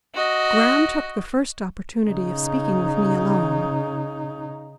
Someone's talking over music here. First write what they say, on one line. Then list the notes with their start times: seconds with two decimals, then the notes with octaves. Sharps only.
Graham took the first opportunity of speaking with me alone.
0.14 F#4 D#5
2.08 C#3 D#4